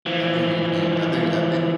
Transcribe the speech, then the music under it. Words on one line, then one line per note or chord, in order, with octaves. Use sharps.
I think it can I think I think,
E3 F3